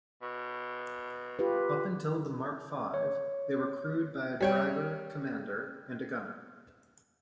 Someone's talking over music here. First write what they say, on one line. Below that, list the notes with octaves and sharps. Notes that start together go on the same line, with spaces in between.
Up until the Mark Five, they were crewed by a driver-commander and gunner.
B2
F4 G4 B4
C#5
G3 C#5 G5